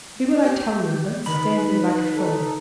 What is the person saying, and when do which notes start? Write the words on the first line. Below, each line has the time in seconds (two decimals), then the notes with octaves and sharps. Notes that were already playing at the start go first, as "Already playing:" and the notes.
"Do what I tell you, and don't stand there like a fool."
0.43 G4
1.26 D#3 B4 B5
2.14 D#4 A4